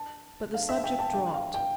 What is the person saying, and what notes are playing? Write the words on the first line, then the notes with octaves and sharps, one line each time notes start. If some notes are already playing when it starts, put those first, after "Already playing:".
But the subject dropped.
Already playing: A5
F5
E5
G5
A5
G5
F5
G5